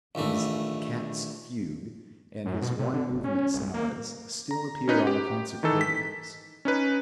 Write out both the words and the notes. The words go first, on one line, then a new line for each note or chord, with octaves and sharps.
His "Cat's Fugue," and his one movement sonatas still appear on concert programmes.
A#1 D#2 E3 A3
F#2
B2
C3
D3
F#1
C#4
C2
A#3
A#5
C#4 D#4 B4
G4
D#3 E3 D#4 A4
B6
C#4 D#4 B4